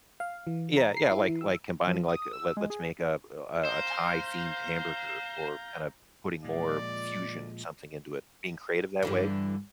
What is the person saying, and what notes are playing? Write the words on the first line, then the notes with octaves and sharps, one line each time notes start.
Yeah, yeah, like like, combining, like let let's make a a a Thai-themed hamburger or, kind of putting more fusion something into it, being creative that way?
F5
E3
A#5
C7
E4
E3
E6
F3
D#6
E6
G#3
G#4
C5 F5 A#5 G6
A#2 F3 G#3 D5
G2 D3 E3